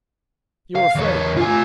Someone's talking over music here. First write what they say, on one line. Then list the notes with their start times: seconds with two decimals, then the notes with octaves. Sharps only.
You're afraid!
0.75 F5
0.95 E2 C#5
1.37 F4 G#5